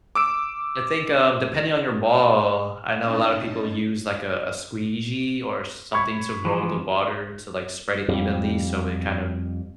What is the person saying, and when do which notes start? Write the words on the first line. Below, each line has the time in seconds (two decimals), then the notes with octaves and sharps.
I think, um, depending on your ball, I know a lotta people use like, uh, a squeegee or something to roll the water to like spread it evenly, so it kind of
0.15 D6 E6 D7
3.00 C#4 D#4 D#5 A5
5.93 B5 C#6 G#6
6.45 E3 F3
8.08 F2 G3